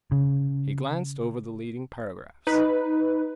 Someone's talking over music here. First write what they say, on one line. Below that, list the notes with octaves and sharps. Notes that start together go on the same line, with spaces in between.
He glanced over the leading paragraphs.
C#3
D#4 B4